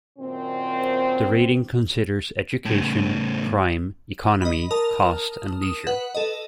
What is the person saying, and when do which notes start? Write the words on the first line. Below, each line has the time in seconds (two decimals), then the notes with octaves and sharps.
The rating considers education, crime, economy, cost and leisure.
0.19 F#2 A#2 D#3 C4
2.65 A2 C#3
4.42 D#5 B5
4.71 A#4 A5 D#6
5.62 D#6 E7
5.87 B4 F#5
6.15 A4 D#5